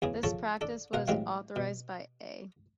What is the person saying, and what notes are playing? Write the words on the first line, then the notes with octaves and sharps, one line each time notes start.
This practice was authorised by A.
E2 C#3 G#4
C#3 F3 A4 A5 C#6
D4 A4
B2 A#4 F5 F#5
A1 F#3 G#3 C4 F5
B2